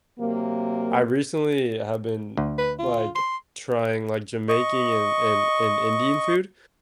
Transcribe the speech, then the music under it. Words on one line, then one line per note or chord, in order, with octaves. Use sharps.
I recently have been, like, trying, like, Jamaican and and and Indian food,
C3 F#3 A#3
D2
B4
F4
C6
D#5 C#6